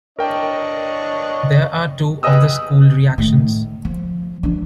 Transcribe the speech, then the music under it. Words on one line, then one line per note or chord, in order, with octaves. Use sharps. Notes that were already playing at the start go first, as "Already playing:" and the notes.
There are two of this school reactions.
D4 A#4 C#5 D#5 G5
B3 G4 G#4 D#5 D#6 E6
A2 D#3
F3
E3 D4